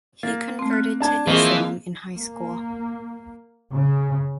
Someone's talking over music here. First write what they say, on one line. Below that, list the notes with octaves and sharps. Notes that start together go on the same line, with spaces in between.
He converted to Islam in high school.
A#3 A6
A3 C4
F6 F#6
D4 A5 G#6
E3 F3 A#3 C4 G#4 C5 D#5 C#6
A#3
C#3